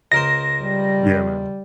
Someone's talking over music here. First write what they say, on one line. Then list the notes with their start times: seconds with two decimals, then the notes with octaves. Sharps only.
Yeah, man.
0.12 C#2 A#4 C5 A#6
0.63 G3